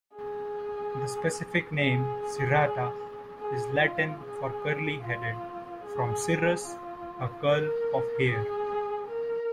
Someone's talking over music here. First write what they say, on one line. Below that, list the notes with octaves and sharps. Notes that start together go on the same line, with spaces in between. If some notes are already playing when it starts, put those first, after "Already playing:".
The specific name "cirrhata" is Latin for "curly-headed", from "cirrus", a curl of hair.
G#4
G#4
G#4
F4
G#4
F4
G#4
F4
A#4
G#4
A#4